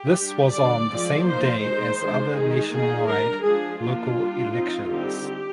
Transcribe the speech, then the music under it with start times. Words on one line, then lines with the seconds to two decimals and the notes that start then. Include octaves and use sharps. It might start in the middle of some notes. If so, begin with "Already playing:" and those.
This was on the same day as other nationwide local elections.
Already playing: G4
0.15 G3 D4
0.52 D3 G3 D4 D5
0.88 F3 G#3 C4
1.24 F3 A#3 D#4 C5
1.61 D#3 G#3 D#4 C5
1.98 D#3 G#3 D4
2.34 D#3 G#3 D#4 G#4
2.70 D#3 A#3 D#4 G#4
3.06 G3 D4 A#4
3.43 F3 G#3 D4 G#4
3.79 F3 A#3 D4 F4
4.16 G3 D4
4.52 F3 C4 D#4
4.89 D3 G3 C4 D#4 G4